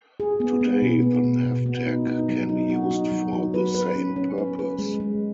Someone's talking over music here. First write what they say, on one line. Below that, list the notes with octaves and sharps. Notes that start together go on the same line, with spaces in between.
Today the nav tag can be used for the same purpose.
G#4
B3
B3
B2
B3
B2
B2
B3
D#4
D#4
F#3
D#4
F#4
D#4
F#3
F#3
B4
B4
C#4
C#4
B4
B4
G#3
G#3